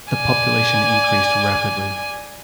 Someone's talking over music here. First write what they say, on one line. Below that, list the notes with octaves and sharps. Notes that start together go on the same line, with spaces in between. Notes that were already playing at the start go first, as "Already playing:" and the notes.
The population increased rapidly.
D5 G#5